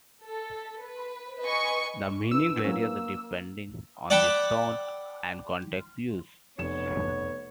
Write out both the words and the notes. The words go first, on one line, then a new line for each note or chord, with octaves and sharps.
The meaning varies depending on the tone and context used.
A4
B4
B4 D#5 G#5 C#6
D4 E4 B4 E6
F#3 A#3 C#4
D5 F#5 G5 A5 B5
F1 B3 C#5 E7